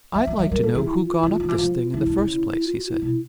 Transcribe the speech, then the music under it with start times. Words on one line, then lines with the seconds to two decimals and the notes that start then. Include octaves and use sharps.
"I'd like to know who got up this thing in the first place," he said.
0.15 F3 E5
0.27 F3
0.39 F#3
0.51 F#3 A#4
0.63 F3 A4
0.75 E3 G#4
0.87 E4
1.04 F4
1.17 E4
1.23 E3
1.29 F4
1.40 D#3
1.48 E3
1.58 F3
1.94 E3 E4
2.06 D3
2.18 C#3
2.30 E4
2.48 E4
2.65 F4
2.77 F#4
2.89 E4
3.01 B2 E4